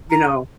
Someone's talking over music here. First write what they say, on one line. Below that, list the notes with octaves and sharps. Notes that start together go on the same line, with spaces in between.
you know.
A#5